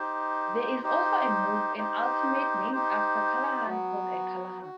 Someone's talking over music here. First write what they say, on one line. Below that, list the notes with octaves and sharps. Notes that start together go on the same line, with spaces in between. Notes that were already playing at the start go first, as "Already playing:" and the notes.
There is also a move in Ultimate named after Callahan called a "Callahan".
Already playing: D#4 G4 C5
D#4 G4 C5
D#4 G4 C5
D#4 G4 C5
F#3 B3 F#4
F#4